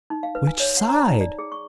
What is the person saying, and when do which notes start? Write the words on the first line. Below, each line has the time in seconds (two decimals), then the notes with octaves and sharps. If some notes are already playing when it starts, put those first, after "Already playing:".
"Which side?"
0.10 D#4
0.23 F5
0.35 B4
0.47 G#5
0.60 C#5
0.77 F#5
0.89 A#5
1.08 D#4
1.21 D5
1.39 G#4
1.52 C#6